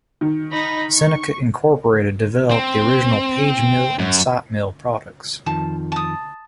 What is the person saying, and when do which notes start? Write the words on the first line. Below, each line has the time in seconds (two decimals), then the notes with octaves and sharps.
Seneca Incorporated developed the original PageMill and SiteMill products.
0.21 D#3
0.52 D#4 B5 A#6
0.93 C#6
2.51 C4
3.99 F#2
5.46 F2 D#3 F3 A5
5.92 A5 D#6